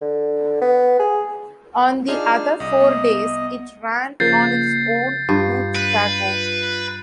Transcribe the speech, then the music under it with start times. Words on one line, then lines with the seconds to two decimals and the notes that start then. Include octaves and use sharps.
On the other four days, it ran on its own to Chicago.
0.02 D3
0.61 B3
0.99 G#4
2.08 D4 D#4 F4 G#4 F6
2.60 C2 D#5
2.79 B3
4.20 C#3 F3 A#3 G6 A6 C7
5.29 G2 F4
5.75 B4